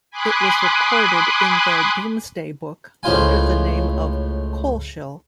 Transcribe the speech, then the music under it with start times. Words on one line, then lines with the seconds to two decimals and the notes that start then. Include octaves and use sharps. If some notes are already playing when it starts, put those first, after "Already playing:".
It was recorded in the Domesday Book under the name of Coleshill.
0.11 G#5 B5 C6 D6 D#6 F#6
3.03 C#2 A2 F4 C5 F5 G#5